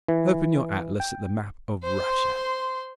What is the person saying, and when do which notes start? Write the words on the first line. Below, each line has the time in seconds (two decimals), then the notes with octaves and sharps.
Open your atlas at the map of Russia.
0.08 E3
1.00 G5
1.84 C5 C6